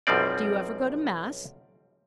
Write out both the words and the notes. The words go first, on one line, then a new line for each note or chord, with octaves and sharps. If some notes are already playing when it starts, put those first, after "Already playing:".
"Do you ever go to mass?"
B1 F#2 F3 G3 C4 D5